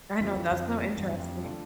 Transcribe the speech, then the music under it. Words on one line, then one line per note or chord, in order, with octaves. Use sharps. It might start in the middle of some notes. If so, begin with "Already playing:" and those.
I know, that's so interesting.
F2 D3 F3 C4
F2
F2 D3 F3 C4
A2 G3 D4
E2 G2
F2 A2 G3 D4
D3 A3 D4 F4 A4